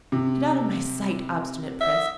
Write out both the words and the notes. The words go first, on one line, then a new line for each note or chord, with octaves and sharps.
'Get out of my sight, obstinate Prince.
C3
E5